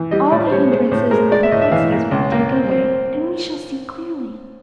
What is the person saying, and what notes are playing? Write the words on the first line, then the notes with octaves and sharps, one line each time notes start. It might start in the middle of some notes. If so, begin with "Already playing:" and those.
All the hindrances and perplexities will be taken away, and we shall see clearly.
Already playing: E3
G3 D#5
A2 D5
C5
G3 C#5
G#3 C5
A2 C5
G#3 A#4
G#3 D5
E5
A2 D#5
E5
E3 F5
A#3
C#2
A#3
C4
C4